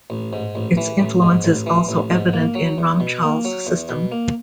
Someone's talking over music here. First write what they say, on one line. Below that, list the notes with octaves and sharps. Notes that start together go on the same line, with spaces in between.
Its influence is also evident in Ramchal's system.
A1
G#2
A1
E3
A1
G#2
A1
E3
A1
G#2
A#3
F#3
E2
B2
A#3
F#3
E2
B2
A#3